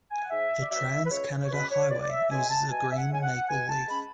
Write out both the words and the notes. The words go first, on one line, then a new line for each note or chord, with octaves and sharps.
The Trans Canada Highway uses a green maple leaf.
G#5
F#5
G#2 E5
D5
F#3 B3 D4 E5
B4
C#2 C#5
C#5
B2 G#3 C#4 B4
C#5
C#2 D5
D5
E5
B2 G#3 C#4 G#5
A5
B2 G#5
E5
F#5
G#3 C#4 G#5
F#5
B2 G#5
A5
G#3 C#4 B5